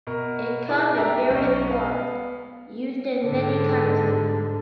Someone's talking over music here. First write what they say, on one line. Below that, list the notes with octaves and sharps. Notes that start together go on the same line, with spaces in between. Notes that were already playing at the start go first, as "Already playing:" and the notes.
It comes in various forms used in many countries.
B2 A#4
D4 E4 G#4 D5
D4 G4 E5 A#5
B1 C#4
B3 F5
G#2 D3